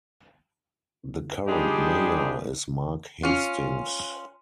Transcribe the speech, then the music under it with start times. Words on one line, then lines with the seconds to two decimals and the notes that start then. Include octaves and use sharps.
The current Mayor is Mark Hastings.
1.48 G3 D4 D#4 F4 G4 G#4
3.23 C#4 F4